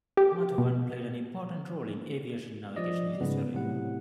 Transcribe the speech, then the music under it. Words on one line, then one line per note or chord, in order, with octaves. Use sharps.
Matawan played an important role in aviation navigation history.
G4
B2
F3 D5 D#5
G#2 C#3 B3
A2 C3 F#3 F#5